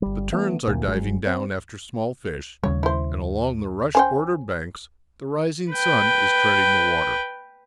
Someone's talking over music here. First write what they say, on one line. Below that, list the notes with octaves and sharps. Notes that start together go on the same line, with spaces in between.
The terns are diving down after small fish, and along the rush-bordered banks the rising sun is treading the water.
G1 G3
E3 A3 B3
D2 A#2
F#1 G2 F#3 G#3
C4
D#2 C#3 G3 C#5
E4 C5
C#4 C5 G5 G#5
B4 G5